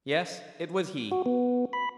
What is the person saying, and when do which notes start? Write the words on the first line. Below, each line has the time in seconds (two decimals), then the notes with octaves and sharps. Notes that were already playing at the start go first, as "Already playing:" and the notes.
Yes! it was he.
1.11 F#4
1.26 B3
1.73 B5